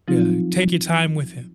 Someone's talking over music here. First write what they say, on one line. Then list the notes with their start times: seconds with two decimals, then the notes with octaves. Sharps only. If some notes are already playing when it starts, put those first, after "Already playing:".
yeah, take your time with him.
0.08 F3 F#3 C4 D#4 F4